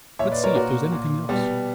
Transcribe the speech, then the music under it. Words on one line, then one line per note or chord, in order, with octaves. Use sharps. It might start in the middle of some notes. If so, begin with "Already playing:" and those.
"Let's see if there's anything else."
A#2 C#5 E5
B4 D5
A#4 C#5
A#2 F#4 A#4
A#2
B2 G3 B3